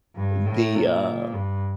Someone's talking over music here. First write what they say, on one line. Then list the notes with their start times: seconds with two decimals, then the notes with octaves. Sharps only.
the, uh,
0.16 G2
0.46 A2
0.74 A#2
1.33 G2